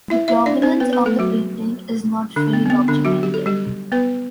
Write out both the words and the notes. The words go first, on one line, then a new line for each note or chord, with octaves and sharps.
The provenance of the painting is not fully documented.
E4 E5
E4 E5
D4 D5
C4 C5
B3 B4
B3 B4
A3 A4
F#3 F#4
D3 D4
B3
C4
B3
D3 D4
F#3 F#4
G4
A4
G3 G4
B3 B4